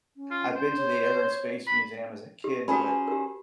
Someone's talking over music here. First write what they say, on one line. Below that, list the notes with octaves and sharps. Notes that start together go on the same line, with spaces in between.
I've been to the Air and Space Museum as a kid, but
C#4
F4
C5
C#5
B5
G4
C#4 F#4 G#4 C5 A5 B5
G4 A#4